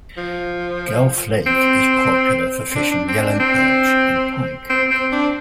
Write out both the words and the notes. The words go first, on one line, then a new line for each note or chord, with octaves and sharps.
Guelph Lake is popular for fishing yellow perch and pike.
F3
C4
C4
D4
D4
C4
D4
C4
C4
C4
D4